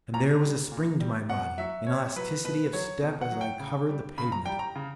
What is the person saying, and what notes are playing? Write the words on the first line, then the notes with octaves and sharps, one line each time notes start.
And there was a spring to my body, an elasticity of step as I covered the pavement.
A#2 A#5
G3
A#2
G3
B2 F#5
F#3 E5
B2 C#5
F#3 B4
B2 B4
F#3 C#5
B2
F#5
F#3
G5
C#3
G3
C#3 B5
A#5
G3 G5
A#5
C#3